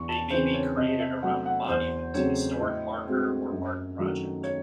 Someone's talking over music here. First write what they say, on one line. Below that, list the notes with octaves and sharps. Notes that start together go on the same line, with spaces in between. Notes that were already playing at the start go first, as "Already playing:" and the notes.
They may be created around a monument, historic marker or art project.
Already playing: E2 C#6
A5
C#3 E3 C4 C5
C#5
C3 D#5
E5
F#3 A3 F#5
F#5
E2 C5
C#3 F#3 A3 C4 C#5
A2 D#5
G#3 C4 F#4
F#2
D#3 F#3 A3
C#5